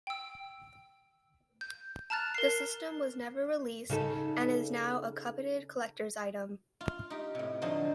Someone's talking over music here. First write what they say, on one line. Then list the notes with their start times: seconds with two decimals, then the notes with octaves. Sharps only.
The system was never released, and is now a coveted collector's item.
0.07 G5 E6
1.61 G6
2.10 A5 A#5 F6 F#6 A6
2.35 A#4 C7
3.90 C#3 D#4 A4
6.81 F4
7.10 D#4 G4
7.35 A2 C3
7.62 D3 F3 F#3 D#4 C5